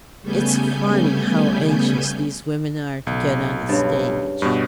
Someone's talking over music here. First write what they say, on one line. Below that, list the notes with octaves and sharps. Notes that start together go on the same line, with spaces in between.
"It's funny how anxious these women are to get on the stage."
C#3 G3 A3 B3 G#5 G6
B1
G2 C#3
G2 B2